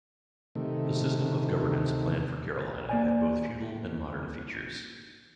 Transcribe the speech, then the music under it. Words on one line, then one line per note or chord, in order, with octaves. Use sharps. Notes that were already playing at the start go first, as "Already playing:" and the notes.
The system of governance planned for Carolina had both feudal and modern features.
C3 D#3 A3
A#3 D5 G#5